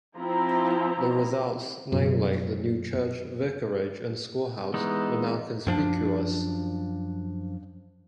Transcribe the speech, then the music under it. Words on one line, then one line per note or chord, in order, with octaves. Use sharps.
The results—namely, the new church, vicarage, and schoolhouse—were now conspicuous.
F3 C4 E4 A#5
F#2 B2
E3 G#3 B3 D#4
F#2 F3 D4